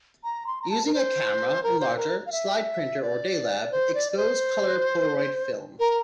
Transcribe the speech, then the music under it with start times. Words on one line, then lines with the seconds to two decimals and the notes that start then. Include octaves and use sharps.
Using a camera, enlarger, slide printer or Day Lab, expose colour Polaroid film.
0.24 A#5
0.47 C6
0.62 A#5
0.70 A5
0.86 A#4
0.94 C5
1.63 A#4
1.80 C5
1.97 A#4
2.26 F5
2.32 E5
3.02 D5
3.72 C5
3.95 D5
4.12 D5
4.17 C5
5.79 A#4